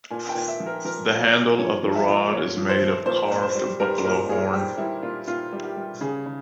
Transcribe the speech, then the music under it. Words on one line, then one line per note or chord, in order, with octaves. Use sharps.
The handle of the rod is made of carved buffalo horn.
A#2 G#5
G5
A#2
E5
F3
A#4
F3 A#4
A#2
C#5
A#2
F3 C#5
F3
E5
A#2
A#2 C#5
F3
C5
F3
A#2 C5
A#2
C5
G3
G3 A#4
A#2 A#4
A#2 G#4
G3 G4
G3 E4
A#2 F4
A#2 F4
G3
G4
G3
C#3 G#4
C#3